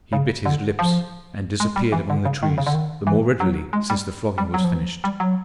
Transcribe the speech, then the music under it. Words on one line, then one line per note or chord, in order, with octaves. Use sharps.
He bit his lips, and disappeared among the trees, the more readily since the flogging was finished.
C#3
D3
F3
G#3
G3
E3
D3
C#3
D#3
D3
C#3
D3
D#3
E3
F#3
G#3
G3
G3
F#3
F3
E3
F3
G3
F#3